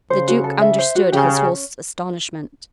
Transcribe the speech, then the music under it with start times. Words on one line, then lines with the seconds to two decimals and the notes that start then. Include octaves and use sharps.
The duke understood his host's astonishment.
0.10 C#3 C5
0.28 F#4
0.44 A4
0.61 E5
0.78 C5
0.95 F#4
1.12 C#3 G4
1.29 C#4